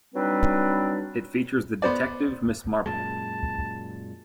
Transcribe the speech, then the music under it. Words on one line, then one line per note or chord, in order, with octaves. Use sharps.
It features the detective Miss Marple.
F#3 G3 C4 D4 D#4 B4
B3 C5 D5
F#2 A#2 G#3 A5